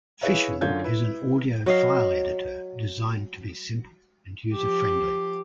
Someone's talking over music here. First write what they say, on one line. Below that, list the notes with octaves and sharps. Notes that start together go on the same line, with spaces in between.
Fission is an audio file editor designed to be simple and user-friendly.
E4 G#4 B4 C#5 E5 F5
F#2 D3 F4 C#5 G6 G#6
E4 B4
F#3 D#5 F5
F3 G4